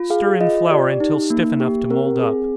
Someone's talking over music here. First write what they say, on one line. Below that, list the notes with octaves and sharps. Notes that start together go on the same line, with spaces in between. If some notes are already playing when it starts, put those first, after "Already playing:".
Stir in flour until stiff enough to mould up.
Already playing: F4
G#4 F5
F4 D#5
G4 D5
D#4
A#3
G4
C4 A#4
G#4